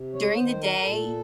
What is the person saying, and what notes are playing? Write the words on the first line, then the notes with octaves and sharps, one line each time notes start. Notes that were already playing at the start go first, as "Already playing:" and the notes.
during the day,
Already playing: C3
C#5
D#3 C5
A#4
A#2 A4